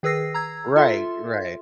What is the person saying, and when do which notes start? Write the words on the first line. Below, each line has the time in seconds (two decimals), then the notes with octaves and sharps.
Right, right.
0.03 D#3 G#4 B4 E6 A#6 C7
0.34 A#5 E6 G#6
0.76 F4 A4 E5 C6